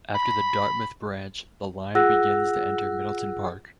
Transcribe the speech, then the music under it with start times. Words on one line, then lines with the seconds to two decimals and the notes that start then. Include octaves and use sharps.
After the Dartmouth Branch, the line begins to enter Middleton Park.
0.15 B5
1.95 F4 G#4 F#5 E6 F#6 A#6